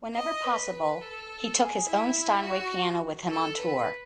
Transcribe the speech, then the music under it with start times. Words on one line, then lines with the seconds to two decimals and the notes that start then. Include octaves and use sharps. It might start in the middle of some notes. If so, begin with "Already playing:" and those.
Whenever possible he took his own Steinway piano with him on tour.
0.15 D#5
0.44 B4
0.72 B4
1.01 A4
1.57 G#4
1.86 E4
2.42 F#4
3.29 A4
3.57 B4